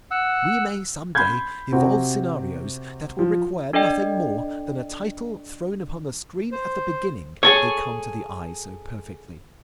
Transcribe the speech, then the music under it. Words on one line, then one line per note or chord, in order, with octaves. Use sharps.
We may some day evolve scenarios that will require nothing more than a title thrown upon the screen at the beginning, they come to the eye so perfectly.
F#5 E6
B5 C6 G6 G#6
C3 C4 F#4 G4
F3
D4 A4 D5 D#5 G5
C5
G#4 A4 C#5 C#6